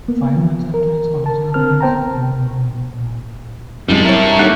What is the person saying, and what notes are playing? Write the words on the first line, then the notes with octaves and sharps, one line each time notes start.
Five months after its original release, Boom, Boom, Boom, Boom!!
A#3 B3
F3
A#4
A#4 A5
D3 C4 A#4 F6
B3 C5 G5 A5 A#5
C2 F#2 G3 G#3 D4
E4 A#4 C#5
D#2 G4 A4 F#5